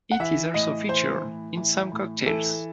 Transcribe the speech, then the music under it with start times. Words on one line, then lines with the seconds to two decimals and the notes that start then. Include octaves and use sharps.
It is also featured in some cocktails.
0.12 F#5
0.20 E3 E5
0.54 A2 D#5
0.89 E3 C5
1.23 A2
1.57 E3
1.92 A2
2.26 E3 A4